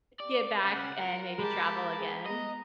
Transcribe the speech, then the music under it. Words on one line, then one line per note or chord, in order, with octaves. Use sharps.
get back, and maybe travel again.
G4 D5
C#3 C#4 F#5 B5
F4 A#4
G#3 G4 A5 B5 D7
G#4
B3 D#5 A#5